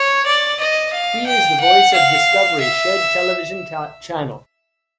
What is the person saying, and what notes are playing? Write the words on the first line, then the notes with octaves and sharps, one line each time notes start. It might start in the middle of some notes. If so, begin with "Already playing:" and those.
He is the voice of the Discovery Shed television channel.
Already playing: C#5
D5
D#5
F5
G5
F#5
F5
E5